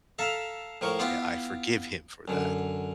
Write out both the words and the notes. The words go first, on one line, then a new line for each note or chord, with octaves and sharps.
say I forgive him for that,
A4 E5 F5 A#5
A2 F3 A#4 C#6
B3 E4 F4 G4
F#2 D3